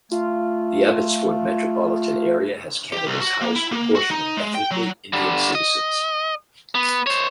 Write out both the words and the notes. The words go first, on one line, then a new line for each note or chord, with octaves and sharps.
The Abbotsford metropolitan area has Canada's highest proportion of ethnically Indian citizens.
A3 F4
G4
C2
F#4
A#3
E4
A#3
F#4
D#4
G#3
G5
F#3
D3 G3
D#5
B3
C5 C#5